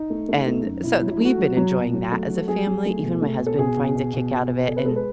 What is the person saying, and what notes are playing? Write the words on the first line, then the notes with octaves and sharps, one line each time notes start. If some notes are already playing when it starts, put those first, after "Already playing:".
and so we've been enjoying that as a family, even my husband finds a kick out of it, and
Already playing: D#4
A3
A3
A3
F#2
B2 E4
F#3 E4
E4
A3 F#4
F#3
F#3
B2
F#3
A3
F#3
A4
F#3 G#4
F#3
A3
B2
A3
B2
A4
B2 G#4
B2
B2
B2
B2
B2
B2 A4
B4
G#3 A4
B4